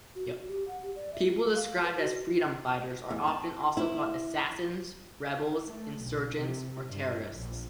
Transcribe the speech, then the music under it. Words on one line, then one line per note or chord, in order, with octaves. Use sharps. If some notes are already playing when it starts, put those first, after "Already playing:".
People described as freedom fighters are often also called assassins, rebels, insurgents or terrorists.
F#4
G4
F#5
G4
D5
E5
F4
A4
F5
B4
F#4
E2
A5
E4
A3
B1
C3
G2
A#1